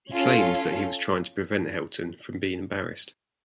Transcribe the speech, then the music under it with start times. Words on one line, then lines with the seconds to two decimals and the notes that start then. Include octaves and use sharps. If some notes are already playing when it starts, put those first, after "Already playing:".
He claimed that he was trying to prevent Helton from being embarrassed.
0.13 C#4 F4 A4